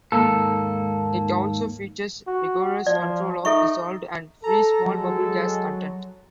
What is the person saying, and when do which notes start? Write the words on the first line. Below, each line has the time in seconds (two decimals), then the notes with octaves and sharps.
It also features rigorous control of dissolved and free small bubble gas content.
0.12 D#2 G#2 A#3 A4
2.27 F#4
2.87 F3 D5
3.45 D#4 A4 E5 C#6
4.44 A4 A#5
4.85 F#3 G#3 A4